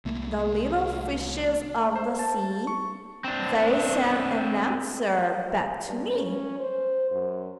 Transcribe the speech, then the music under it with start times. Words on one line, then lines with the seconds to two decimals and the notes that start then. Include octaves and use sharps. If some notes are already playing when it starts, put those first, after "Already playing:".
The little fishes of the sea, They sent an answer back to me.
0.05 C2 A3 A#3
1.96 C5
2.19 A5
2.67 C#6
3.24 C4 D4
5.83 G2
6.14 C#4
6.59 C5
7.11 F#2